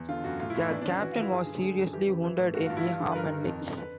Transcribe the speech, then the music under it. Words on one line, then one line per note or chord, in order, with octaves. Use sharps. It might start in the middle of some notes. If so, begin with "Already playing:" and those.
The captain was seriously wounded in the arm and legs.
Already playing: E2
D3 F4
F#2 F#4
A2 F4
A2 E4
D#4
E3 D4
D4
E3 C#4
E3 F#4
E3 F4
E4
G2 G#4
D3
D3 G#4
F#2
E3 G4
C#3
E3
A2
G2 F#4
G2 F4
E4
G2 F4
D3
B4
G2 A#4
D#3
F2
D3
B4